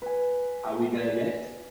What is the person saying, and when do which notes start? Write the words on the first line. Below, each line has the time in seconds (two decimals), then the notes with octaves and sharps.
Are We There Yet?
0.02 B4 G#5